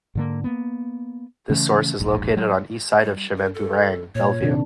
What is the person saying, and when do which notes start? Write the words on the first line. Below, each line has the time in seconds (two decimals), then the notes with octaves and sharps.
This source is located on east side of Chemin du Rang Bellevue.
0.15 G#2 D3 A#3
0.44 A#3 B3
1.50 C#3 E3 A3 C#4
1.99 E1 A#1 G#2
2.37 F#3 G#3 A3
3.04 G3
3.36 A#4
3.55 A4
4.15 A#2 C#5
4.41 C3 D#3 D4